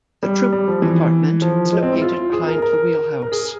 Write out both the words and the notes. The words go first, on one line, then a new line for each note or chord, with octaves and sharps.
The troop compartment is located behind the wheelhouse.
G3
G3
F3
E3
F3
G#3
C4
E4
F4
G#4
A#4
A#4
A#4
G#4